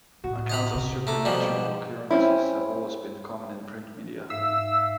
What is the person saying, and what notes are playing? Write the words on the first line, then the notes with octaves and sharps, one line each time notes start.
Accounts of supernatural occurrences have always been common in the print media.
A2 F#4
D#5 A#5 B5
C3
A3 A#5 D6
B2 F3 G3 F#4
C4 C#4 E4
G#2 E5 F5 E6